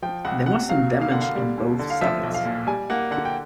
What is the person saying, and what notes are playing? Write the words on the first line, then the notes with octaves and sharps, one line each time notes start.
There was some damage on both sides.
F3 G5
C#2 F#5
C3 F#5
F#3 F5
A#3
F5
D3 F#5
F5
G3
D#2
D3
F5
F3 E5
B1
F5
A#2
G3 G#5
A#3 F#5
D3 F#5
G5